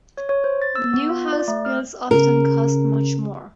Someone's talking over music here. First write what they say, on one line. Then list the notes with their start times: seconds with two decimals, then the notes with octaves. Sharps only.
New house builds often cost much more.
0.17 C#5
0.29 C#5
0.44 C5
0.62 A6
0.75 E6
0.93 B3
1.09 F4
1.33 D5
1.48 A3
1.65 F6
2.11 C#3 A#4